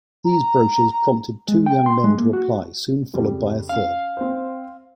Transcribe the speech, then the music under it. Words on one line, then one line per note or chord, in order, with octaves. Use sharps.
These brochures prompted two young men to apply, soon followed by a third.
A#5
G#3
G5
C6
G#3
A#3
F#4
F2 C#3 G3
C#4 F5
C4 C5